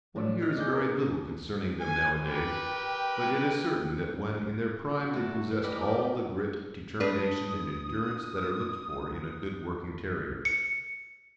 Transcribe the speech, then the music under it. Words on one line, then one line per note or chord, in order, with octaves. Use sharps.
One hears very little concerning them nowadays, but it is certain that when in their prime they possessed all the grit, determination, and endurance that are looked for in a good working terrier.
A2 D4 E4
D#5 F6
D2 D4 D#4 G#4 D#5 G6
B3 A#4
G#5
G4 A#4 B4 G5
F#4
A3
E3
G4 D5 D#5 B5
A#4
D4 B4 D#6
C#7